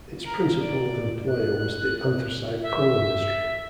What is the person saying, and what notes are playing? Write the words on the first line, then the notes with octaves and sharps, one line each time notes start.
Its principal employer was the anthracite coal industry.
A#4
D5
F#6
E5